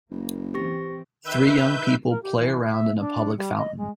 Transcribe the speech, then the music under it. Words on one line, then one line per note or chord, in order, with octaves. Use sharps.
Three young people play around in a public fountain.
F#1 A#3
E3 C4 G4 C#6 A#6
D#3 B4 E5 G6
A#4
G4
E3
E5
D4
G3
D#5
G#3